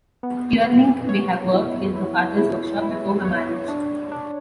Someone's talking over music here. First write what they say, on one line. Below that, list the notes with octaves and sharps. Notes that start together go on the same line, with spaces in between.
Teerlinc may have worked in her father's workshop before her marriage.
B3
B3
C#5
E4
E4
E4
E4
C#5
D4
D4